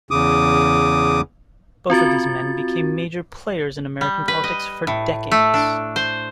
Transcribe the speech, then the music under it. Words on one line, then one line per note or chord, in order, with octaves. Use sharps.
Both of these men became major players in American politics for decades.
E2 C#3 D6 D#6
C4 F4 F#4 A6
G3
B4
D#5
A2
A3
D4
C5